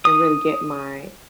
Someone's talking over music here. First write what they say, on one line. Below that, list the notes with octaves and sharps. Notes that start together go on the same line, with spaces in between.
and really get my
D#6